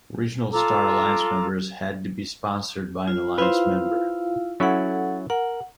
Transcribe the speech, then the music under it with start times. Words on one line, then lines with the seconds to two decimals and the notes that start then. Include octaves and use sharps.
Regional Star Alliance members had to be sponsored by an alliance member.
0.52 F4 A4 A#5 D6
3.08 F4
3.38 E4 F4 B4 C5 F5
4.60 F#3 C#4 E4 A4 F#5
5.30 A#4 F#5